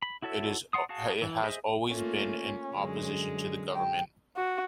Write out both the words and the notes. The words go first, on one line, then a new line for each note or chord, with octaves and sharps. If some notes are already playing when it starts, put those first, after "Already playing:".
It has always been in opposition to the government.
B5
E4 F#4 A4 C#5 E5
D5 F#5 C6 D#6
F#4 G#4 F5 A5
E3
G#4 C5 D#5 E5
A3 A#3 C#4 F4
F#2 D3 G#3
G5
F#4